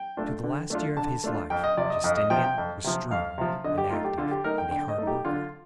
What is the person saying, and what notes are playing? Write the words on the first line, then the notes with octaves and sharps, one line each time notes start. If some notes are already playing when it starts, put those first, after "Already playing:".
To the last year of his life Justinian was strong and active and a hard worker.
Already playing: G5
A3 D4 F4
D3
A3 D4 F4
D3 A5
A3 D4 F4
F2 G5
D#5
C3 F3 D5
D#5
F2 D#5
D#5
C3 F3 G5
G5
F2
C3 F3
F2 F5
C3 F3
D3 D#5
G4
A3 D#4 F4
G4
D3 F4
G4
A3 D#4 A#4
G5
D3 G5
D#5
A3 D#4
G4
D3 F4